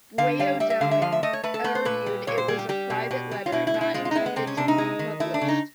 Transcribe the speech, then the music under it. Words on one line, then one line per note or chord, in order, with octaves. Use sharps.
Beaudoin argued it was a private letter, not intended to be published.
D3 F5
G3 F5
G3 E5
E5
D3 F5
E5
F3 F5
E5
A3 D#5
C#5
A3 B4
A4
A3 B4
C5
A#2 B4
G3
A#2 C#5
C5
G3 G#4
G4
G3 G4
B2
B2
G3
F4
B2 E4
E4
B2
E4
G#3 F4
F4
D#4
G#3 E4
B3
C3 C4
C#4
C3 D4
D#4
G#3
D#3
A3 E4
D4
C#3
D#4